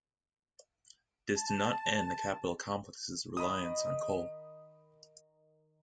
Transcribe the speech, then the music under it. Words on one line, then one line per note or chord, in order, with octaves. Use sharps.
This did not end the Capitol complex's reliance on coal.
A5
D#3 D#5 A#5 B5 D#6